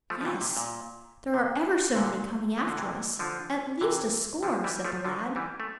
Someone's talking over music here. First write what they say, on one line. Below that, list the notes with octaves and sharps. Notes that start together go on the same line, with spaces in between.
"Yes; there are ever so many coming after us, at least a score," said the lad.
F3 A3
F3
C3 E3
C3
A#2
C3
A#2 D3
E3
D3
C3 E3
D3 F3
C3 E3
D3 F3
E3 G3
F3 A3
D3 F3
E3 G3
A3